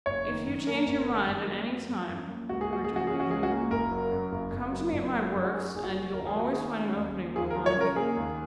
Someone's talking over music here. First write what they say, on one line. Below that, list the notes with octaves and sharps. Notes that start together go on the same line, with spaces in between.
'If you change your mind at any time,' returned Eugene, 'come to me at my works, and you'll always find an opening in the lime-kiln.'
F#1 C#5
D#3
F#2
A#3 A#4
F#1
D#3
F#2
A#3
F#3
F#2
F#2
A#3
C#2 F#4
G#4
A#3 F#4
G#4
C#3
F#4
C#4 G#4
F#4
C#2 G#4
F#4
A#3
F#1 A#4
F#3
F#2
F#1
F#1
F#3
F#1
F#3
F#2
F#4
D#4 G#4
F#1 G#4
F#4
F#3
D#2 A#4
G#4
A#3 F#4
D#3 G#4
C#4
D#2
A#3
D#2 G#4
A#4
F#3
C#5
C#3 A#4
A#3 G#4
D#2